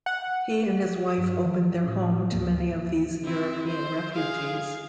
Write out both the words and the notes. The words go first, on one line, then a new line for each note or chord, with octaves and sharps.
He and his wife opened their home to many of these European refugees.
F#5
G2
E3
A2 C#4
D2 G#2 F3 A#3
C4 E4
C5
G#4 F5